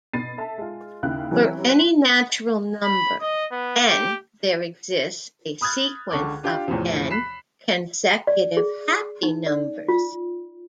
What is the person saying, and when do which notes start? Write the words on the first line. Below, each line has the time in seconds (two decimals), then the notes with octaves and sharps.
For any natural number "n", there exists a sequence of "n" consecutive happy numbers.
0.13 B2 B5 A6 C7 D#7
0.38 A4 E5 A5
0.58 G#3 F4
1.03 D#2 C#3 E4 F5 F#6
1.31 E3 F#3 G3 C4 C#4 E4
1.68 C#5 C6 F#6 B6
2.83 B5
3.21 D#5
3.52 B3
3.90 G4
5.61 B5 D#6 F6 F#6 G#6 A6
6.11 C#2 D3 A4 C#6 D6
6.43 D4 F4 G4
6.68 E2 A2 C3 E3 F3
7.10 B5 F#6 B6 C7 E7
8.27 D5
8.57 G#4
9.23 D#4
9.46 D5
9.88 F4